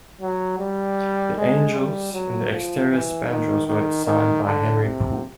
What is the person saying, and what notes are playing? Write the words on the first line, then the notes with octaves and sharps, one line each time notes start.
The angels in the exterior spandrels were designed by Henry Poole.
F#3
G3
G#3
G3
F#3
F3
E3
D#3
D#3
D#3
D3
C3